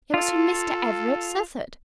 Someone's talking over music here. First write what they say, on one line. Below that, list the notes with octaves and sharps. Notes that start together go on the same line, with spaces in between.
"It was from Mr. Everett Southard."
F4 A4